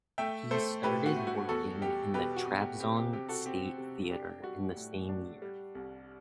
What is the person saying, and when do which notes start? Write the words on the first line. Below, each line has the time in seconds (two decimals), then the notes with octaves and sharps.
He started working in the Trabzon State Theater in the same year.
0.18 A3 E5 G5
0.51 A3 A4 C5
0.83 A2 G4 B4
1.06 F#4
1.16 A3
1.27 F#4
1.49 E2 F#4 A4
1.81 G3 G4
2.14 B2 G4 B4
2.36 F#4
2.48 B2
2.58 G4
2.80 C4 G4
2.97 G4
3.13 C3 G4
3.29 F#4 A4
3.46 C4 G4
3.78 C3
4.11 D4 G4
4.44 G3 F#4
4.76 A2
5.09 D4
5.42 G3
5.75 C2